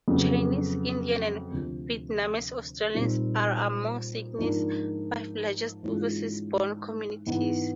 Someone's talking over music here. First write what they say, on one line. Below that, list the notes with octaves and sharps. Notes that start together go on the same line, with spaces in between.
Chinese, Indian and Vietnamese-Australians are among Sydney's five largest overseas-born communities.
F2 C#3 F#3 B3
D2 C3 F3
A#2 G3 C4 D#4
G#2 F3 A#3 D4
G#2 E3 G#3 C#4 F4
G#2 E3 G#3 B3